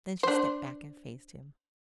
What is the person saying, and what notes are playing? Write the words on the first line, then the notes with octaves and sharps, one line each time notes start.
Then she stepped back and faced him.
D4 C5